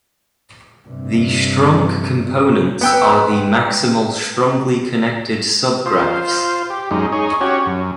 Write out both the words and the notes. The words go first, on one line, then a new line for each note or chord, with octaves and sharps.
The "strong components" are the maximal strongly connected subgraphs.
G2 C3
B3 G5 E6
F4 C5
G4
F#2 G#3 D#4
D#4 G#4 C#5
C#4 F#4 G4 C#5
F#2